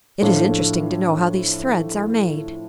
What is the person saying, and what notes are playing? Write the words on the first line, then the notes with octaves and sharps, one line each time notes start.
It is interesting to know how these threads are made.
A2 F3 A3 D4 F4